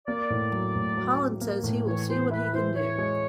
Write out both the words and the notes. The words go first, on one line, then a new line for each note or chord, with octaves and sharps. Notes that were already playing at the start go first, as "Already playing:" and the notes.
Holland says he will see what he can do.
A#3 D5
A2
F#3
A2
F#3
F#3
A#3
A2
E3 C#5
E3 C5
E4 B4
E3 C5
E4 C#5
G#3